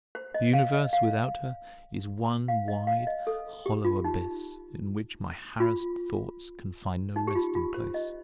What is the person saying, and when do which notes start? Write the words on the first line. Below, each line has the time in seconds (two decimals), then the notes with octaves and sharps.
The universe without her is one wide, hollow abyss, in which my harassed thoughts can find no resting-place.
0.15 C5
0.34 D#5
0.53 F5
0.73 D#5
0.93 F5
2.48 F5
2.68 D#5
2.87 F5
3.07 D#5
3.27 A4
3.66 G4
3.85 F4
4.04 D#4
5.60 F4
7.16 D#4
7.27 G4
7.35 F4
7.55 F4
7.74 C5
7.94 D#5